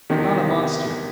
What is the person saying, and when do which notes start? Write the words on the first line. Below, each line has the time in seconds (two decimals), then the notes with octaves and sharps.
I am not a monster.
0.10 E2 C3 D#3